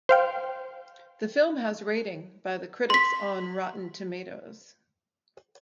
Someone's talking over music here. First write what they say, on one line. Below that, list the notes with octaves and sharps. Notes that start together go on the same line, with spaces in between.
The film has rating by the critics on Rotten Tomatoes.
C5 F5 G5
C6 B6